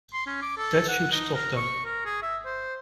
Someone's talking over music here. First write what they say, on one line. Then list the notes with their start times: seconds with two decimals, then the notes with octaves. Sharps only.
That should stop them.
0.13 C6
0.26 C#4
0.42 D6
0.57 A4
0.88 F#5
1.12 D#4
1.34 A#4
1.56 C#6
1.85 A#4
2.05 G#4
2.22 E5
2.45 C5